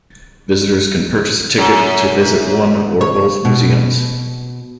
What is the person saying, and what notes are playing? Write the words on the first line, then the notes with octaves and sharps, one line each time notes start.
Visitors can purchase a ticket to visit one or both museums.
F#2
C#5
B2